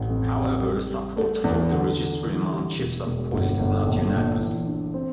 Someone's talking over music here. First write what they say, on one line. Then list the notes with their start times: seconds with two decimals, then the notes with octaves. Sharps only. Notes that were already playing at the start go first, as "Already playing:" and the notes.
However, support for the registry among Chiefs of Police is not unanimous.
Already playing: A1
0.09 F2
0.36 C3
0.64 G3
0.90 G3
1.16 A3
1.44 E2
1.71 D3
1.98 D3
2.24 E3
2.52 G3
2.78 E1
3.06 E1
3.33 G1
3.59 G1
3.86 A#1
4.14 A#2
4.41 E3
4.67 D4
4.94 C4